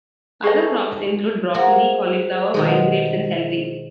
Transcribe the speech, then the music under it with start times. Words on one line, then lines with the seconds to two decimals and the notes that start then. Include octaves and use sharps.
Other crops include broccoli, cauliflower, wine grapes, and celery.
0.44 G#4 A4 B4 D#5 G#5 C#6
1.54 A#3 F#4 G#4 C5 F#5
2.54 B2 D#3 G#3